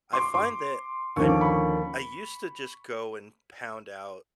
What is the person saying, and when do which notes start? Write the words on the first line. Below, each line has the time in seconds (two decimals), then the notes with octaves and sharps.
I find that I'm I used to just go and pound out,
0.13 C6 D6
0.34 C6 D6
1.16 D#2 D3 F3 A#3 C#4 C#6
1.29 D6
1.41 B5 C#6